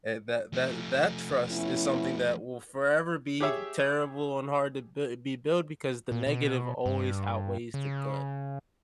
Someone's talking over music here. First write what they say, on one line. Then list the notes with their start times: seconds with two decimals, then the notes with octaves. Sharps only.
and that that that trust is something that will forever be terrible, and hard to b be built because the negative always outweighs the good.
0.53 F3 A3
1.51 B3 C#4 E4
3.40 G4 G#4 C#5 E5
6.12 A#2
6.26 B2
6.86 G2
7.74 C#3